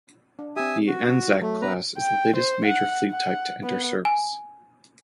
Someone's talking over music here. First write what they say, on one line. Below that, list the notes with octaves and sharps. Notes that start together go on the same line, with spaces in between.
The "Anzac" class is the latest major fleet type to enter service.
D4
C4 G4 E5 G#5 D#6
F#4
F#3 A3
B3 B4 A#5
G5
C5
F#5
F#5
B3
G#5